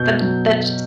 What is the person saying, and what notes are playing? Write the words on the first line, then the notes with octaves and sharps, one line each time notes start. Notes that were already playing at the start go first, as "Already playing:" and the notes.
That that's just
Already playing: B2 G6
F#3